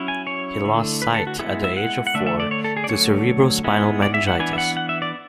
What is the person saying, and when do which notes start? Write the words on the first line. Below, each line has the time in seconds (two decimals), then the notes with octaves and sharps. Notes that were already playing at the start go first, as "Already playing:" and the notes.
He lost his sight at the age of four to cerebrospinal meningitis.
Already playing: F#3 C#4 E4
0.08 G#5
0.27 C#5
0.64 D3 A3 E4
1.02 B4
1.15 A4
1.27 F#4
1.39 G#3 B3 E4 G#4
1.64 E5
1.77 F#5
2.07 F#5
2.14 D3 A3 D4 E5
2.27 E5
2.40 D5
2.51 C#5
2.64 A4
2.77 G#4
2.84 D5
2.89 D3 F#3 A3 C#5
3.64 G#3 B3 E4
4.02 D5
4.14 E5
4.27 F#5
4.39 E3 B3 D4 G#5
4.53 E5
4.58 F#5
4.77 F#5
4.89 E5
5.02 D5